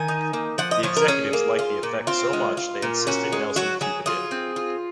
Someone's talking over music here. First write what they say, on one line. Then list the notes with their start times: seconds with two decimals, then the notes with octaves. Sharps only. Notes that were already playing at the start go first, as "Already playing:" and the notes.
The executives liked the effect so much, they insisted Nelson keep it in.
Already playing: D#3 G#5
0.08 D#4
0.33 A#3
0.58 F3 F#5
0.71 D#5
0.83 F3 C#5
0.97 A#4
1.08 C#4 G#4
1.33 A#3
1.59 F4
1.83 A#2
2.07 C4 F4
2.33 G#3
2.57 F4
2.82 A#2
3.07 C#4 F#4
3.33 G#3
3.56 F#3 F#4
3.81 F#3 G#4
4.06 F4 G#4
4.31 C4
4.56 F4